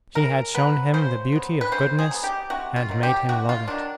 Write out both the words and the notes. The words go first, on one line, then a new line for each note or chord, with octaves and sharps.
She had shown him the beauty of goodness and made him love it.
C#3 A#4
F#3 B3 B4
C#3 C5
F#3 B3
B4
C#3 C5
G#4
F#3 B3
G4
C3 F#4
F4
D#3 F#3
G4
C3 F#4
F4
D#3 F#3 D4